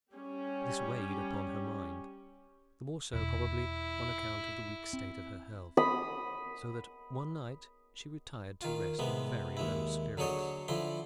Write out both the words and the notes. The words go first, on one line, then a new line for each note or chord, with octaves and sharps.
This weighed upon her mind, the more so probably on account of the weak state of her health; so that one night she retired to rest in very low spirits.
G3 C#4 G4
E1 E4
C4
B5 D#6
D#3 F4
C3 G#3 B3
D#2 G#3 E4
D3 F#3 G#4 C#5 D#5
D3 F3 E4 C6